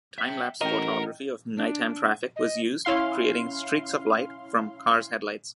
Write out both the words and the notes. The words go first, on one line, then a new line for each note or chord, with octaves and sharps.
Time-lapse photography of night-time traffic was used, creating streaks of light from cars' headlights.
E5 G5
A1 A#4 D#5 F#5 G5 A#5
D4
D#5
C#4 E4 F5 C6